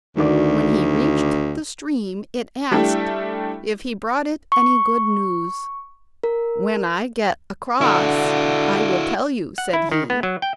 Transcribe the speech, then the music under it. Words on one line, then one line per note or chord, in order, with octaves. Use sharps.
When he reached the stream it asked if he brought it any good news. 'When I get across I will tell you,' said he.
D2 D#3 F#4 D5
G3 A3 D4 E4 G4
C#6
A#4
D3 E4 F#4
F#5
E4
D#3
B3
F#3
G5